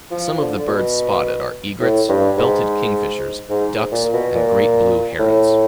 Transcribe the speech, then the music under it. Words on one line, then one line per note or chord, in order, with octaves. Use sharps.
Some of the birds spotted are egrets, belted kingfishers, ducks, and great blue herons.
F3
D3
B2
A2
G2
G#2
G#2
A#2
B2
A#2
A2